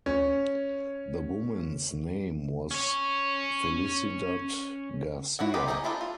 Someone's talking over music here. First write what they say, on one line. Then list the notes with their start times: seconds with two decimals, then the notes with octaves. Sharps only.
The woman's name was Felicidad Garcia.
0.06 C#4 C#5
2.71 C#4 C#5
5.39 E4 F#4 C#5 F#5
5.54 G#3 B3 D#4 G4
5.68 A#3 C4 C#4 D#4 G#4
5.84 D4 E4 F4 G#4 A4
6.01 F4